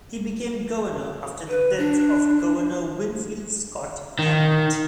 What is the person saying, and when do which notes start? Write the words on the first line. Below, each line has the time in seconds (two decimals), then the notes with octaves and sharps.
He became governor after the death of Governor Winfield Scott Hammond.
1.49 B4
1.78 D4
4.19 D#3